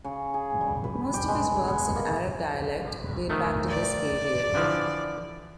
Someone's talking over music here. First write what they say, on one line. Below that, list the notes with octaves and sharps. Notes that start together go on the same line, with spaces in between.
Most of his works in Arab dialect date back to this period.
C#3
G#4
G3
B4
G4
G#3
G#4
B3
A#3
D#3 A3
D5
D3 E3 F3